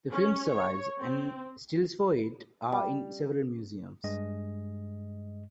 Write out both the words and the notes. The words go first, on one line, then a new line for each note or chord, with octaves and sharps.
The film survives and stills for it are in several museums.
C#4
C#5
C4
G3
G2 G#3 D#5